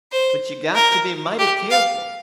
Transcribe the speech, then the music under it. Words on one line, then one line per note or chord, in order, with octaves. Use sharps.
But you got to be mighty careful.
C5
A#4
G4
F5